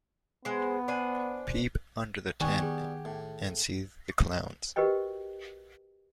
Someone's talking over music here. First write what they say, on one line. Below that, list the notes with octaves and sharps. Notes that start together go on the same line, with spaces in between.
Peep under the tent and see the clowns.
G#3 B3 C5
D4 C5 G#5
D#3 G3 B3 G4 F#5 G#5 C#6
G#4
A2
F#4 G4 A#4 B4 D#5 G5